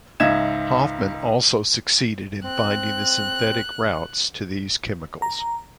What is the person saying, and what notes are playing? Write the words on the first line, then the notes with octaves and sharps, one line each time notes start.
Hofmann also succeeded in finding the synthetic routes to these chemicals.
C#2 G#2 D#5 E5 G#6 E7
C4 F#6
A#5